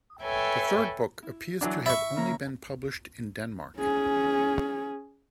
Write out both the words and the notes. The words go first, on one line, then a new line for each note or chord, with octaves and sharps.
The third book appears to have only been published in Denmark.
A4 B4 C#5 E5 G5 G#5
E4
E3 F#3 D4
E5 B5 C#6
C#3 A#3 A#5
C#4 G#4